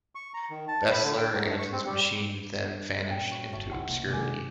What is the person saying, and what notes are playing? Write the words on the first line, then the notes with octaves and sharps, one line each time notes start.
Bessler and his machine then vanished into obscurity.
C#6
A#5
D#3
A5
B5
D3
G5
G#2
G2
C#6
C4
G3
A#2 C#4 G5
F#4 B4 C#5 B5
G1 A#2 C#5 E5 A5
C2 E4 F#5 C6
E1 C3 A#3 D#4
D#3 F#3 G#3 G4 G#4